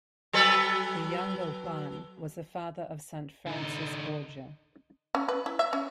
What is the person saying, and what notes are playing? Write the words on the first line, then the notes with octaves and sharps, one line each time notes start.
The younger Juan was the father of Saint Francis Borgia.
F#3 A4 B4
D3 D#4
C#4
B4
E4
E5
C#4